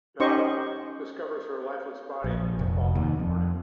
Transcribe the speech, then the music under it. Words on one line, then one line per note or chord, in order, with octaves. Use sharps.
Dov discovers her lifeless body the following morning.
C#4 D#4 G4 C5 D#5 C#6
A#1
F1
D#2
F2